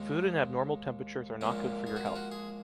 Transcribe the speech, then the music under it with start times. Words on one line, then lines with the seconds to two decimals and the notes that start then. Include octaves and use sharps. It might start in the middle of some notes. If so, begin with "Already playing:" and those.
Food in abnormal temperatures are not good for your health.
Already playing: D#2 D#3 G#3 D#4
1.41 A#1 A#2 G#3 C#4
1.87 G#4
1.96 F#4
2.06 F4
2.16 F#4
2.32 G#4